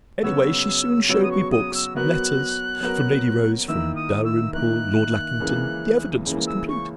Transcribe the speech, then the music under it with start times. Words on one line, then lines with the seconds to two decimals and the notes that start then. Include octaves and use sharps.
Anyway, she soon showed me books, letters--from Lady Rose, from Dalrymple, Lord Lackington--the evidence was complete....
0.23 C#3 F#3 B3 F#4 C#5 E6
1.09 C#3 F#3 B3 F#4 C#5 E6
1.23 D#6
1.31 C#6
1.52 D#6
1.75 E6
1.95 F#3 B3 F#4 A#4 F#6
2.81 F#3 B3 F#4 A#4
3.68 D#3 A#3 E4 A#4 E6
3.96 D#6
4.25 E6
4.53 D#3 A#3 E4 A#4 F#6
5.40 C#2 C#3 E3 A#3
6.26 C#2 C#3 E3 A#3
6.47 E6
6.68 C#6